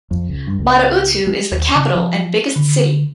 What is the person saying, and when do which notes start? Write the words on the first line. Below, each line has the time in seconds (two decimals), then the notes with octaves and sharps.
Mata-Utu is the capital and biggest city.
0.11 F2
0.29 C#2
0.47 G2
0.59 C#2
1.27 G#3
1.51 D#2
1.75 C#3
1.95 F3
2.56 D3